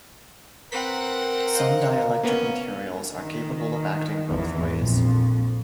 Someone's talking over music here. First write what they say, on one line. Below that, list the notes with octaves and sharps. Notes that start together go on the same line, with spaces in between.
Some dielectric materials are capable of acting both ways.
C4 A#4 B4 F#5 B6
C5 D#5 F5
A#3 B3 C#4
D#3
G#1 E2 E3
A#1 F2